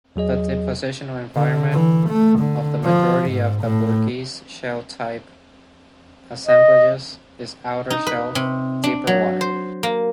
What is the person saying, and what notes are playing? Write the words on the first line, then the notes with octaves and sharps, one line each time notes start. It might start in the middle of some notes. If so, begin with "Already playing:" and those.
The depositional environment of the majority of Burgess-Shale-type assemblages is outer shelf, deeper water.
E2 F#3 G#4 D#5
D3
E3
A3
D3
F3
G#2
A2
D#5
D#4
B4
C3
D4
F#3
C5
A#3